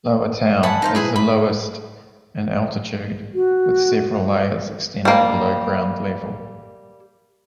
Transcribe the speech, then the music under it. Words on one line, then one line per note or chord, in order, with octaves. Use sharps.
Lower Town is the lowest in altitude, with several layers extending below ground level.
F#5 G#5 A5 B5
D#4 C5 F5
E4 G#4 B4
B5
F#4
G3 A#3